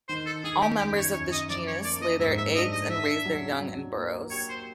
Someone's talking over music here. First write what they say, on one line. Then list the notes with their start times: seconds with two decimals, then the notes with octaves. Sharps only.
All members of this genus lay their eggs and raise their young in burrows.
0.09 D#3 C5
0.27 A4
0.44 D#3 G#4
0.62 G4
0.79 F#2 G4
0.97 C#5
1.14 F#2 C#5
1.32 D#5
1.49 F3 D5
1.68 C#5
1.84 A#3 D5
2.02 D#5
2.19 G#2 E5
2.38 E5
2.54 D4 D#5
2.73 D#5
2.91 D4 E5
3.25 F#3
3.60 F#3
3.96 A#3
4.31 G4 C#5
4.49 C5